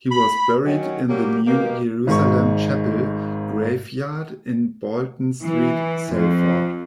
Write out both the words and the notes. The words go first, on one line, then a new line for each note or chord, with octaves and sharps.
He was buried in the New Jerusalem Chapel graveyard in Bolton Street, Salford.
B5
D#3 F#3 C#4
F#3 G3 A#3 C#4 G4
B2 A#3 G4
G#1 G#2 G#3 C#6
E3
F2